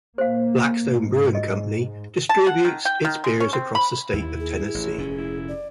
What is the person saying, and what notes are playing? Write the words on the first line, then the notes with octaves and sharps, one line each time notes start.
Blackstone Brewing Company distributes its beers across the state of Tennessee.
A#2 A#3 C5 F5
G#2
D#5
A5
F#5
D#3
G5
D#3
G#3
C#4
C4
B5
D#2 E4
G#4
A1
F1 A#2 C#4
E4
D5